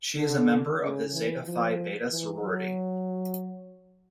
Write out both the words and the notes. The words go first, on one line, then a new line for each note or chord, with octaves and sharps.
She is a member of Zeta Phi Beta sorority.
D3
C#3
E3
F3
E3
F#3